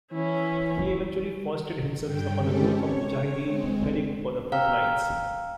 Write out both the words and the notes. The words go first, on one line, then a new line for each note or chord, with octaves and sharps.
He eventually foisted himself upon a group of "mujahideen" heading for the front lines.
E3 C#4 E4
G2 D3 G5
G#3 C4 C#4 G4 A4
C#5
G#3 C4
F5 G5 A#5 E6 F6